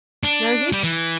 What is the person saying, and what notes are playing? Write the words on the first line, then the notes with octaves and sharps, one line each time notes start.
"No hitch?"
D4
G3 G4
E3